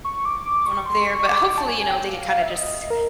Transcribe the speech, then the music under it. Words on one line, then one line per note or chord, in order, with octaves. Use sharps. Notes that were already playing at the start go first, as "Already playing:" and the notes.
going on there, but hopefully, you know, they can kinda just
C#6
D6
D6
C#6
C6
C#6
D6
D6
A5
G#5
G5
F5
F5
E5
D#5
A#4